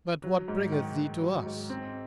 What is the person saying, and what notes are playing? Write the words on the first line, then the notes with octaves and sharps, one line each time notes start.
But what bringeth thee to us?
F#3
G#2
D#3
G#2
F#3
G#2
C4